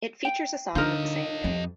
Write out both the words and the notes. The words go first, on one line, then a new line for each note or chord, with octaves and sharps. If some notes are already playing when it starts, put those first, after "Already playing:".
It features a song of the same name.
G5
D3 D#4 F4 A#4 D#5
F2